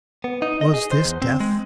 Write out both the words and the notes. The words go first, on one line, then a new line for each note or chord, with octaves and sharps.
Was this death?
B3
D#4
D#5
G#4
C5
E2
C4
G#3